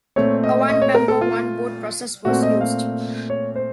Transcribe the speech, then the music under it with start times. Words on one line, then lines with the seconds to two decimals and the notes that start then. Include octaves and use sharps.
A One member, one vote process was used.
0.16 A#2 A3 C4 C#5
0.44 D#5
0.70 D#5
0.82 C#5
0.95 A#4
1.08 A4
1.21 F4
2.25 A#2 A3 C4 F#4
2.43 D#5
2.61 F5
3.30 C#5
3.56 C5